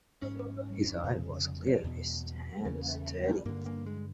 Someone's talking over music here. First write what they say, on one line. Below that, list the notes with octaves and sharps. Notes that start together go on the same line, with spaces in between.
His eye was clear, his hand steady.
G#2 C#4
F2 C#3
E2 B2
E2 C#3
G2 D3 A#3
A#3
G#3